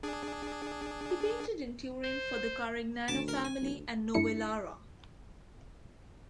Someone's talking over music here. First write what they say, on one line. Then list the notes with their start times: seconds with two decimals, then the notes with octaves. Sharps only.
He painted in Turin for the Carignano family and Novellara.
0.03 D4 G#4
2.04 C5
3.08 D2 A5 D6
3.28 A#4
3.45 G#5
3.61 B1
3.74 D2
4.14 G2 G3 D4 E4 C#7